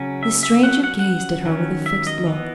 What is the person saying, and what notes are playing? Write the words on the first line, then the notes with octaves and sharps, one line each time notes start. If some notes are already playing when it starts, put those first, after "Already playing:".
The stranger gazed at her with a fixed look.
Already playing: C#3 F#3 C#4
E5
E5
F#3 C#4 F#5
F#5
F#5
D#3 F#3 C#4
E5
D#5
E3 B3